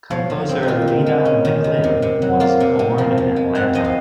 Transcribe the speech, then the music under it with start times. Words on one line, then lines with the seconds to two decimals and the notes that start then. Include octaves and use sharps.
Composer Lena McLin was born in Atlanta.
0.11 F3 C#5
0.30 F3
0.49 C4
0.63 D#4
0.68 D#3 F4
0.88 D#3
1.06 G#3
1.25 C#4
1.45 D#3
1.64 D#3
1.84 C3
2.02 C3
2.22 F#3
2.40 A#3 F4
2.60 C3
2.79 C3
2.98 F3 A#4
3.18 F3
3.36 G#3
3.55 C4 F#5
3.75 F3 D#5
3.84 F5